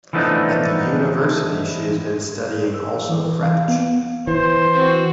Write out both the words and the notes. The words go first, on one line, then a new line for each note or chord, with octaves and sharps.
At the university she has been studying also French.
E3 F3 A3 B3 D4 D#4
E6
E3
F5
B3
E3 C5
C4 F#4